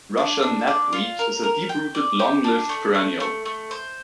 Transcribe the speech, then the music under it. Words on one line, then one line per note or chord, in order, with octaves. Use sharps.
Russian knapweed is a deep-rooted long-lived perennial.
D4
D4
D5
F4
A#4
A#4
G5
D5
G4
D4
A3
A3
A3
A3
C5